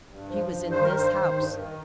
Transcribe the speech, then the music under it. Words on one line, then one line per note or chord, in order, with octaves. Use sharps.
She was in this house.
G2
F3
G2
D#3 C5
A#4
G2 C5
D#3
G2
D#3